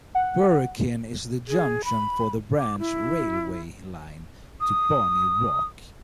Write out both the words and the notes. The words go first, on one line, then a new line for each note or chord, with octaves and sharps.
Burakin is the junction for the branch railway line to Bonnie Rock.
F#5
G#4
B5
D6
E4
D#6